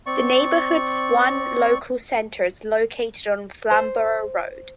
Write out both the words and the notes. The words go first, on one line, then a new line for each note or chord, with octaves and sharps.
The neighbourhood's one local centre is located on Flamborough Road.
C4 D5 C#6
C5